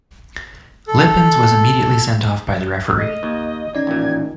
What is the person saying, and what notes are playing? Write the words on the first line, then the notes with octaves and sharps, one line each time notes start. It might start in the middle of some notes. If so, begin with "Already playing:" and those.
Lippens was immediately sent off by the referee.
A4
A3 D#5
D#2 A#3
D#3 C#4 D#4 D5 G#6
A1 A#2